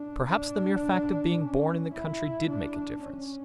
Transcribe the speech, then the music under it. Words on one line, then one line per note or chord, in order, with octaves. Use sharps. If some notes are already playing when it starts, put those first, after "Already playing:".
Perhaps the mere fact of being born in the country did make a difference.
Already playing: D4
D4
C#4
E4
D4
C#4